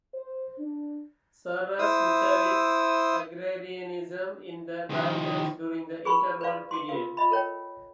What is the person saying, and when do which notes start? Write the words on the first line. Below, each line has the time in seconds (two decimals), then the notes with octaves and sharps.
Sarras Michalis, Agrarianism in the Balkans during the Interwar Period.
0.14 C5
0.59 D4
1.79 E4 C5 D#6 E6
4.90 D#3 F3
6.05 G#4 B4 B5 C#6
6.41 B4 C5 D5 F5
6.71 C6 D6
6.89 F4 A#4 B4 F5
7.17 F4 D#5 B5
7.31 A4 A#4 C#5 G5